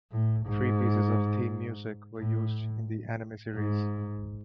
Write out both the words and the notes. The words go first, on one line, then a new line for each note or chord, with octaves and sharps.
Three pieces of theme music were used in the anime series.
A2
G#2
A2
G#2